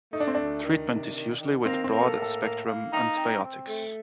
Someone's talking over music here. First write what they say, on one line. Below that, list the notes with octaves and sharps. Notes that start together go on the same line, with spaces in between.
Treatment is usually with broad-spectrum antibiotics.
A3 D#4
D4
C4
D2 D4
D#3
C3
D#3
D#3
A#3 C4
C4
A#3
A4
A2
A4
A#3
A#3
D#4
C4
C4
A3